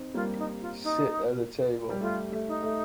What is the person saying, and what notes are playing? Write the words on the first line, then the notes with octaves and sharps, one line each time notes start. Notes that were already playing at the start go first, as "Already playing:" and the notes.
Sit at the table.
Already playing: C4 D#4
G3 A#3 F4
D#4
F4
D#4
G3
A3 F4
A3
D#4
A3